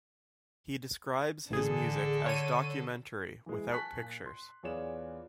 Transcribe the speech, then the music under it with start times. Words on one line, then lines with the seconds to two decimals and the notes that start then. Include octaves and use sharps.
He describes his music as documentary without pictures.
1.50 A1 D3 G#4 A4
2.26 C#5 D#7
3.46 E3 G#3
3.71 G#5 A5 C#6 F#6 B6
3.98 A#2
4.26 C6
4.63 E2 F4 G#4 C#5 D5 E7